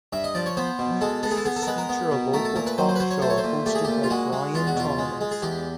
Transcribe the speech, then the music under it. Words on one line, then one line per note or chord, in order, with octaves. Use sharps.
Weekdays feature a local talk show hosted by Brian Thomas.
G2 E5
D#5
F3 D5
C#5
B3 C5
B2
G#3 A4
B3 A4
G#4
A4
B3 G#4
A4
A#4
G#3 B4
A#4
B3
B2
A3 A#4
A4
A#2 A#4
B4
F#3 C5
C5
B4
F#3 C5
C#5
A3 C5
C#5
C5
A#2
A3 G4
G#4
A#2 G4
F4
G#3 F#4
G#3
E2 F4
F#4
B2 F4
G#3
G#3
G#4
E2 G4